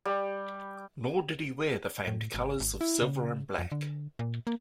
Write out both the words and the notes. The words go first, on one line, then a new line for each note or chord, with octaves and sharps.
Nor did he wear the famed colors of silver and black.
G3
A2
G#1
G#1
E4
C#3
F2
D3
A#2
A#3